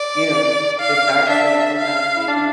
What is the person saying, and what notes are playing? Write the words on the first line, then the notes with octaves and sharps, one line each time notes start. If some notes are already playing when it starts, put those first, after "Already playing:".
you know, if they start slow sometimes when
Already playing: D5
F5
D4 E5
F5
E4
D4